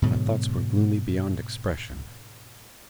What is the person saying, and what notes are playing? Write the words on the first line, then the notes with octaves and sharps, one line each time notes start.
My thots were gloomy beyond expression.
G#2 B2 D3 F#3